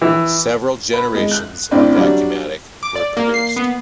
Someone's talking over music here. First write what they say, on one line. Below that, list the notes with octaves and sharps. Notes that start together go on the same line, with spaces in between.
Several generations of Vacumatic were produced.
E3
B4
G#3
F#6
A1 C4 D4 E4
F#3 G3 D4
D6
D5
A#3
C7
B3